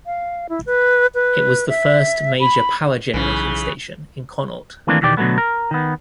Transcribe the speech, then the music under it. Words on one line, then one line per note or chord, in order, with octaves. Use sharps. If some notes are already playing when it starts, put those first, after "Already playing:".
It was the first major power generating station in Connaught.
F5
E4
B4
B4
E5
B5
B1 C#3 E3
D#3 E3 A3 A#3 C4 D4
E2 B2 D#3 G4 D5
B2 D3 F#3 G#3 A3 B3
A#4
D#3 B3